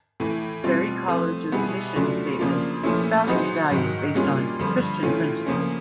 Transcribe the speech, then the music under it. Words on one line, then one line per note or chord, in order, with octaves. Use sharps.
Berry College's mission statement espouses values based on Christian principles.
A2 E3 A3
B2 G3 C4 F4
F3 A3 C4
B2 G3 B3 E4 G#4
C#3 F#3 A3 D4 F4
C#3 F3 A#3 D4 F4
A#2 F3 A3 C#4 E4
F#3 B3 D#4 G#4 C5
G#2 D#3 F#3
G3 A#3 C#4 F4 G#4
G2 D3 F3
A2 E3 A3 C#4 F4
C#3 F3 A#3 C#4